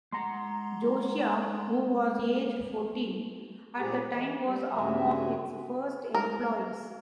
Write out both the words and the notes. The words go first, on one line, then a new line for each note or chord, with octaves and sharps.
Josiah, who was aged fourteen at the time was among its first employees.
G#3 F#5 A#5 C6
A#2 C4 G4 G#4 A#5
E3 D#5
G3
G2 C#3 F#4 E5 G#5
A#4